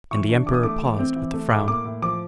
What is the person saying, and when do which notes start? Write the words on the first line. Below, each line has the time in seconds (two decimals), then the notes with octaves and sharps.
And the Emperor paused, with a frown.
0.11 E3 C#6
0.29 D4
0.46 E3 D6
0.54 D#6
0.63 A3 D6
0.81 E3
0.99 C4
1.16 E3
1.34 A3
1.51 A2 D6
1.68 A#3 D6
1.85 A2
2.02 F3 D6